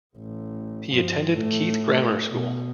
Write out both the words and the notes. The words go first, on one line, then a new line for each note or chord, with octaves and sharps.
He attended Keith Grammar School.
A1
G2 F3
A2 A3
B2